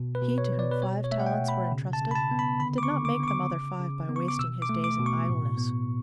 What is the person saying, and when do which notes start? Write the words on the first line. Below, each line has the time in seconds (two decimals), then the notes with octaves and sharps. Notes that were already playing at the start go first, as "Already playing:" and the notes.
He to whom five talents were intrusted, did not make them other five by wasting his days in idleness.
Already playing: B2
0.15 B4
0.22 B2
0.38 C#5
0.52 B3
0.59 D5
0.71 B4
0.82 B2 C#5
1.04 C#5
1.11 A3 E5
1.20 F#5
1.26 G5
1.41 B2
1.48 B5
1.72 C#3
1.93 A5
2.01 C#3
2.11 B5
2.15 A5
2.31 B3
2.39 B5
2.60 D3 B5
2.78 D6
2.83 C#6
2.91 D3
3.05 D6
3.20 B3 C#6
3.28 D6
3.50 C#3
3.80 C#3
4.09 B3
4.16 C#6
4.28 D6
4.39 B2 E6
4.62 D6
4.69 A3
4.84 D6
4.99 B2
5.06 C#6
5.29 A2
5.58 B3